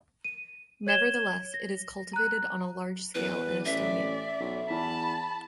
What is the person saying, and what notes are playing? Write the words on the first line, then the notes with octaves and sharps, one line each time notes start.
Nevertheless, it is cultivated on a large scale in Estonia.
D#7
C#5 G#6 E7 G7
A#6
A#5 F#6
E2 B4
A1 D5 E5
B1
E2 A5 B5